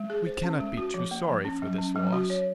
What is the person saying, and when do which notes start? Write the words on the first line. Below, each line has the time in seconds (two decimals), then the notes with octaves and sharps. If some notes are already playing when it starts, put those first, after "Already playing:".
We cannot be too sorry for this loss.
Already playing: G#3
0.10 G#4
0.26 C5
0.44 C#4
0.60 G#3
0.77 F#4
0.94 F3
1.11 A#3
1.28 F3
1.45 C#4
1.62 F#3
1.78 C#4
1.95 F#3
2.13 F#4
2.30 C#5